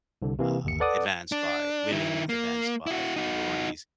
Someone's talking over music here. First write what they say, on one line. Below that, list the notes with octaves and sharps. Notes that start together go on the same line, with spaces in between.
uh, advanced by women, advanced by minorities,
C2 D3
C3 E3 A#3
G1 D#2 C#7
A4 B4 D5 F#5 D6 D#6
D4
D#3 E4
A#3
E4 F#4
D#4 F#4